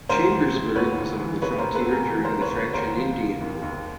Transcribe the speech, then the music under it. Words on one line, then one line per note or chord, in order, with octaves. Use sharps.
Chambersburg was on the frontier during the French and Indian War.
D2 A#4 C5
E3
C3
D2 B4 C#5
D2
E3
C3 B4 C#5
A#4 C5
D2
A4 B4
D2
G#4 A#4
E3
A#4 C5
C3
B4 C#5
D2
B4 C#5
D#2 A#4 C5
F3
C#3
D#2
D#2